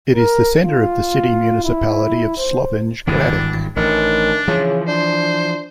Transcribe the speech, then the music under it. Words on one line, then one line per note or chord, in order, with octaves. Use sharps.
It is the centre of the City Municipality of Slovenj Gradec.
A#4
F4
E4
C5
G#1 G2 E3 D4
A1 D#3 D4
C#3 E3 F3
D4 C5